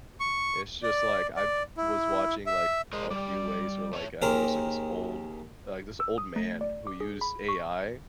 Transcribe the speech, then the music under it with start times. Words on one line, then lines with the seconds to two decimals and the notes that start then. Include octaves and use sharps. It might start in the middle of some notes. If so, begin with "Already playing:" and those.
It's just like I've was watching, like, a few ways where, like, I know there's, like, this old like, this old man who used AI
0.20 C#6
0.83 D5
1.37 D5
1.77 E4
2.46 E5
2.93 G#3 A#4 C5
3.11 G3 D5
3.93 A3 C5 C#5
4.22 D#2 G4 G#4 A#4 C5
6.00 E6
6.18 D#6
6.36 A3
6.61 D5
6.87 D6
7.00 G#4
7.21 B5
7.49 C#6
7.81 C#7